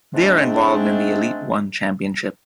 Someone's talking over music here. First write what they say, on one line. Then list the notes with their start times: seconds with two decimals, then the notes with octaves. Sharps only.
They are involved in the Elite One Championship.
0.14 G#2 G#3 A3 C4 D4